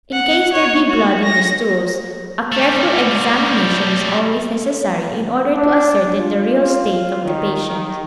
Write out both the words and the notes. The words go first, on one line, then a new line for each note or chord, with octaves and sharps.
In case there be blood in the stools, a careful examination is always necessary in order to ascertain the real state of the patient.
F#5
C#5
F#4
A#6
G3 A3
D4
F4
D#3
D#3